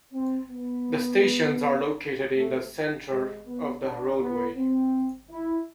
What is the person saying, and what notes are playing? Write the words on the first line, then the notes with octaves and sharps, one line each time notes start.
The stations are located in the center of the roadway.
C4
B3
A3
G#3
B3
D4
B3
C4
E4